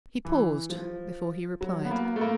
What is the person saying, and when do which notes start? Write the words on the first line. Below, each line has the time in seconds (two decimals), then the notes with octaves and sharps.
He paused before he replied.
0.25 E3
0.70 F3
1.61 F#3
1.85 B3
1.91 A#3
2.16 A3
2.21 A#3